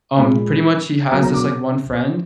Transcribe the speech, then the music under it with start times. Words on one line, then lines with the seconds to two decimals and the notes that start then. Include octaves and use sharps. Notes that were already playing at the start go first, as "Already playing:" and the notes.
um, pretty much he has this like one friend.
0.19 A#2 G#3 B5
1.11 B2 F#3 A#3 A#5
1.23 A#5
1.34 D6